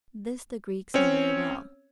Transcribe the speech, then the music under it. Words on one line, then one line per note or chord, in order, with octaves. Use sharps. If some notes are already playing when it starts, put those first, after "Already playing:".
This the Greeks knew very well.
C4 C#4 C#5